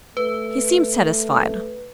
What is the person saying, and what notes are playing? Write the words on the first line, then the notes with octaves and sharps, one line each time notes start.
He seemed satisfied.
A3 B4